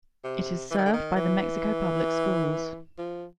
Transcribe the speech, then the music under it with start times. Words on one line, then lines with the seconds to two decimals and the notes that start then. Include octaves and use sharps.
It is served by the Mexico Public Schools.
0.24 C3
0.71 E3
0.78 D#3
0.85 D3
0.93 D#3
1.16 E3
2.98 F3